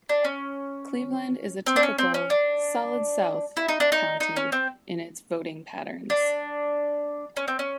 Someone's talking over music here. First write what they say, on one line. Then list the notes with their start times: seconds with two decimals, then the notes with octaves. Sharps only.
Cleveland is a typical "Solid South" county in its voting patterns.
0.09 D4
0.25 C#4
1.66 C4
1.76 D4
1.83 C#4
1.98 C4
2.14 C#4
2.30 D4
3.57 E4
3.69 D#4
3.80 D4
3.92 D#4
4.20 D#4
4.36 C#4
4.52 C4
6.10 D4
7.37 C#4
7.48 C4
7.59 C#4